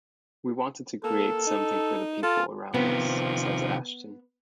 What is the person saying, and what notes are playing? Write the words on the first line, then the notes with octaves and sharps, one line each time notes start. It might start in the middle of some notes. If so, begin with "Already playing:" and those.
"We wanted to create something for the people around us," says Ashton.
A#3 A4
D#4
F4 A4
C3 D#3 F3 B3